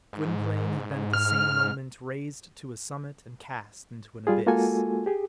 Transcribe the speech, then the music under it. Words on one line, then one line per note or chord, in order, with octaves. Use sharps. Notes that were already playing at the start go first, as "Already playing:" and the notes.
Gwynplaine had been at the same moment raised to a summit and cast into an abyss.
G#2
F6
G3 F4 G#4
G#3 A#3 F4 F#4 A4 G#5
G4 G#4